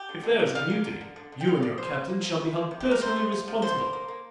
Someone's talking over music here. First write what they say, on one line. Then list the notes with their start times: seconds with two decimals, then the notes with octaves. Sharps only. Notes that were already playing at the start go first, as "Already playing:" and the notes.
If there is a mutiny, you and your captains shall be held personally responsible.
Already playing: G4
0.09 D3
0.23 D3
0.39 A#3
0.55 G3 F5
0.70 A#3
0.86 D3
1.01 D3
1.16 D3
1.32 D3
1.41 G5
1.47 D3 F5
1.62 D3 D5
1.78 A#3 C5
1.94 A#3
2.09 A#3
2.24 F3
2.40 C3
2.56 A#3
2.71 C3
2.80 G4
2.85 F3
2.91 A#4
3.01 C3 C5
3.16 C3
3.32 F3
3.48 F3
3.62 D3 C5
3.78 A#3
3.93 A#3
4.08 A#3